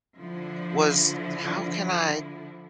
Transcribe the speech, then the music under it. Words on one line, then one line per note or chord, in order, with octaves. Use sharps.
was, "How can I
D3 F3 E4